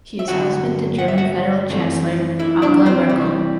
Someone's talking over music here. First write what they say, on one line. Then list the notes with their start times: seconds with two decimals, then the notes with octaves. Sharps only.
He is husband to German federal Chancellor, Angela Merkel.
0.19 E5
0.28 G2 D3 F#3 F#4 F#5
0.98 F#5
1.08 E5
1.18 F#4 F#5
1.69 F#2 E3 A3 C4
2.39 E4 E5
2.62 D4 D5
2.86 C4 C5
3.09 C2 C3 E3 G3